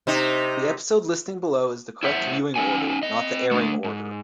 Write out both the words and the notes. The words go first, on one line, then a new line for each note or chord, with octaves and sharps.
The episode listing below is the correct viewing order, not the airing order.
C3 D#4
E4 C5 E5 F#5
C#4 D#4 F4 F#5 G#5
C4 D#5
A3 D4
G#2